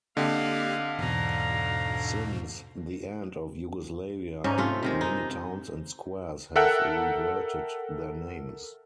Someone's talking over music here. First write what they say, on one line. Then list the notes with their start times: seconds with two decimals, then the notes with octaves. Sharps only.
Since the end of Yugoslavia, many towns and squares have reverted their names.
0.17 D3 A#3 C4 G4 D#5 F5 G5
0.99 E2 G#2 B2 F5 A#5
4.44 G#2 C#4 D#4
4.58 C3 A3 F4
4.83 C3 D#3 G#3
5.01 D#4
6.56 A4 A#4 E5 F#5 G5 F#6